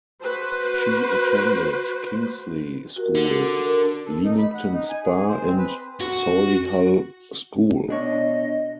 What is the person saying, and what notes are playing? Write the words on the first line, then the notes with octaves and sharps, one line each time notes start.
She attended Kingsley School, Leamington Spa and Solihull School.
F#4 B4 C5
F#4 G4 A#4
D3
A#4
A4
D#4
B5
F#5
D#4
G#5
G#4
C5
C4
B4
F#4
B2 D4 C#5 D#5